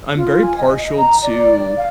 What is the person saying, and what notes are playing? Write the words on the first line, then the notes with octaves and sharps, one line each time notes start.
I'm very partial to
F4
G#5
D#5
D#5
A#5
D5
F5